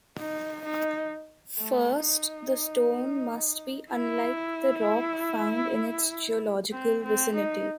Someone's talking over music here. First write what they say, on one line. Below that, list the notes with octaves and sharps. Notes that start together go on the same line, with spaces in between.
First, the stone must be unlike the rock found in its geological vicinity.
D#4
D#4
A3
D#4
E4
C4
C4
D#4